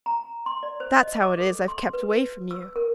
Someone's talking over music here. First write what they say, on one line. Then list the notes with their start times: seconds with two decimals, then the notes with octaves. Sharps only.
That's how it is I've kept away from you.
0.06 A#5
0.46 C6
0.63 D5
0.80 C5
1.03 D#5
1.23 D6
1.40 A4
1.68 C6
1.93 B4
2.51 E6
2.76 A#4